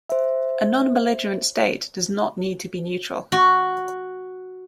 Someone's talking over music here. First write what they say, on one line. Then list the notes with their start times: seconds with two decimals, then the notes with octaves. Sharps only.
A non-belligerent state does not need to be neutral.
0.09 C5 E5
3.32 F#4